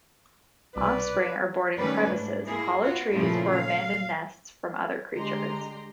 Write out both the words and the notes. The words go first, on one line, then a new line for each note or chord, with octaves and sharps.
Offspring are born in crevices, hollow trees, or abandoned nests from other creatures.
C2 B2 B4 D5
D#3 G3 A3 C#4 B4 D5
G#2 D4
A#3 E4 G#4
B3 F4 F#4
A#2 C#3 F3 A3 C#4 E4
F5
D3 G#3 G4 A#5 C6